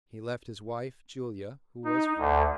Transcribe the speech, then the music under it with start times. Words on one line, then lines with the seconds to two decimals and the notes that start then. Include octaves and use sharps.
He left his wife, Julia, who was free.
1.85 D#4
2.18 D2